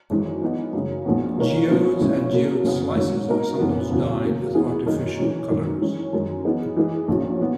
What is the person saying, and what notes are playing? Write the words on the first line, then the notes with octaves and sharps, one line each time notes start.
Geodes and geode slices are sometimes dyed with artificial colors.
G#1 F#2 E3 G#3
E3 B3 D#4
F#2 C#3 G#3
A#1 A#2 G#3 B3 F#4
A#2 G#3 D#4 A#4 C#5
B2 G#3 C#4 E4 B4
A#1 A#2 G#3 C#4 E4
B2 F#3 A#3
F#1 F#2 C#3 F#3 B3
G#2 D#3 F#3 C#4
B2 A#3 D#4 A#4
F#1 F#2 E3 B3
E2 C#3 F#3
C#3 F#3 A#3
E3 B3 E4 G#4
F#2 D#3 A#3 D#4
E3 G#3 C#4
G#1 F#2 D#3
E3 G#3 C#4
F#2 D#3 G#3
E3 B3 D#4 G#4
E3 G#3 D#4 G#4
A#1 A#2 F#3 C#4
E3 B3